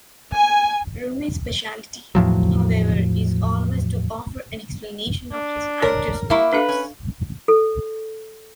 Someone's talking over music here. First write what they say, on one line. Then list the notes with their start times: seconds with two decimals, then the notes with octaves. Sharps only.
Rumi's speciality, however, is always to offer an explanation of his actors' motives.
0.34 G#5
2.15 E2 A2 F3 F#3
5.32 D4
5.82 A#4 C#5
6.30 A#3 E4 E5 A#5 C#6
6.53 D4 A4 B4 F5
6.69 C#4
7.48 A4